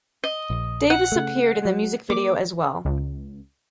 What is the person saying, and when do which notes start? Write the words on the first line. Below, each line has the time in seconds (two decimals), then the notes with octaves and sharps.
Davis appeared in the music video as well.
0.24 D#5
0.50 A#1
0.90 F#5
1.12 C#3 A3
1.65 F#3
2.10 A#3 D6
2.85 C#2